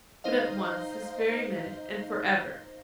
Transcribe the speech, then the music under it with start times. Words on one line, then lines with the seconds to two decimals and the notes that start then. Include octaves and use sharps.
But, at once, this very minute, and for ever.
0.24 D#4 C5 D#5 F5